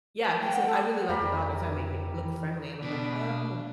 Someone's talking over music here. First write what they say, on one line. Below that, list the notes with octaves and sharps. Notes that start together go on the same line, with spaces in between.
Yeah, he said, "I really like the dog, I thought it made me look friendly." I'm like, "Oh, ok"
G5
F#5
A4
F2 G3 G4 A#4
E3
B2 D4